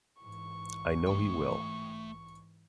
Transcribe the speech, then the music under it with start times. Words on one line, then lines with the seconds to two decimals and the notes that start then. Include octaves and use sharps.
I know he will!
0.23 G#2 E3 C#6
1.07 A3 G5